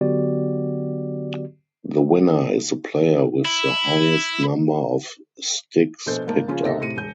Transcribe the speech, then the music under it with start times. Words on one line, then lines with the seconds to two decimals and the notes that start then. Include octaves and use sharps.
The winner is the player with the highest number of sticks picked up.
0.01 D3 F#3 B3 F#4 G4 D5
3.45 E4
6.06 A#1 B2 A4 C5 G6
6.27 G#1 A#3 A5
6.48 C#3 F3 C#4 F4
6.62 D#2 C3 D#4 A4 E5 A#6
6.80 A2 C3 C#7 D#7
6.96 E1 G6